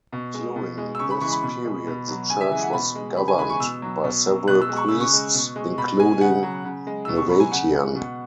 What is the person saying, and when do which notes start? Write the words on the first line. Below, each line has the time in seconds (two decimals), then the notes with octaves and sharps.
During this period the church was governed by several priests, including Novatian.
0.12 B2
0.34 G#3
0.56 B2
0.78 G#3
0.95 E6
0.99 C#3 C#6
1.10 B5
1.21 E3 G#3 C#6
1.32 B5
1.43 B2
1.65 G#3
1.87 B2
2.08 F#3
2.30 C#3 G#5
2.41 E5
2.52 E3 G#3
2.63 F#5
2.73 B2 B5
2.95 G#3
3.17 C#3 B5
3.28 G#5
3.38 E3 G#3 B5
3.50 C#6
3.60 B2 E6
3.82 F#3
4.04 B2
4.26 F#3
4.48 B2 F#6
4.62 E6
4.69 G#3
4.77 C#6
4.89 C#3 E6
5.01 C#6
5.13 G#3
5.34 B2
5.56 G#3
5.78 B2 B5
6.00 G#3 G#5
6.21 C#3 F#5
6.43 F#3
6.65 C#3
6.87 G#3
7.05 B2 E6
7.17 C#6
7.29 F#3 B5
7.40 G#5
7.52 C#3 F#5
7.74 G#3
7.95 B2